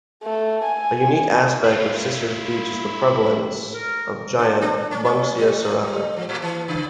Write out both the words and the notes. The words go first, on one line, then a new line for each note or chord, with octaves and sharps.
A unique aspect of Sisters Beach is the prevalence of giant Banksia serrata.
A3
G#5
E4 F4
A#4
D4
D4
C#4
C#4
G3
A3
G3
F3
A2
E3
C#3